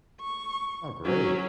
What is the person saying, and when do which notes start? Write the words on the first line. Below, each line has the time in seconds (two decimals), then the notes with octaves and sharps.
Oh, great.
0.21 C#6
1.05 F#3 C#4